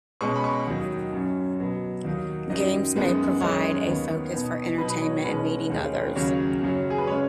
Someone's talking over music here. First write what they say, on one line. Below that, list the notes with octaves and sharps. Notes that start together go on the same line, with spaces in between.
Games may provide a focus for entertainment and meeting others.
B2 G#3 C#4 C#6
B5
C#6
D#2 D#3 F#3 D#4
F#2 F#3 C#4
B2 F#3 B3
D#2 D#3 F#3 D#4
F#2 D#3 F#3 D#5
F#2 D#3 G#3 B3 D#4
F#2 D#3 G#3 D#4 C#5
D#2 D#3 B3
B2 B3 D#4
B2 F#3 D#4 B4
B4
C#5
D#5
B2 G#3 C#4 B4
D#2 D#3 G#3 C#4
D#2 C#3 F#3 C#5
F#2 C#3 F#3 C#4
G#4
B4
C#3 G#3 C#4 C#5